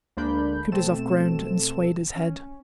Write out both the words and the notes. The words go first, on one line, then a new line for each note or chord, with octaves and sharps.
Kutuzov groaned and swayed his head.
D2 G#3 A#3 D4 B5 G6
B2 A3 C4 A4 E7
C#4